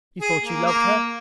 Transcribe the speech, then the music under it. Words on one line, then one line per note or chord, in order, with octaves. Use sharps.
You thought you loved her!
G#4
A#3
A#3